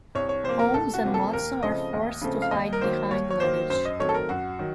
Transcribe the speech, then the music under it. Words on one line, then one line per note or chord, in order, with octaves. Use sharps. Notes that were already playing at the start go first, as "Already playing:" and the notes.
Holmes and Watson are forced to hide behind luggage.
C2 C#5
C#5
C3 F3 A#3 C5
A#4
C2 A4
F#4
C3 F3 A#3
A4
D#2 A#4
C#3 F3 A3 C4 D#5
D#2
C#3 F3 A3 C4
F5
D#2 D#5
A#4
D#3 F#3 A#3 C5
D#2 C#5
C#5
D#3 F#3 A#3 C5
F#2 C5
D#5
D#3 F#3 A3 C4 C#5
A4
A#4
F#2 F#4
D#3 F#3